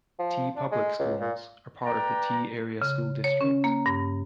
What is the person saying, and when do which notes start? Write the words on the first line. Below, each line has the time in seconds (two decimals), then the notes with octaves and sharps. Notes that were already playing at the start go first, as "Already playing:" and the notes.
Tea Public Schools are part of the Tea Area School District.
0.19 F3
0.56 D4
0.72 G#3
0.99 C#2
1.20 A#2
1.84 B4 D5 G5 A#5
2.82 C#3
3.24 C#5
3.41 C#4
3.64 A#3
3.86 G2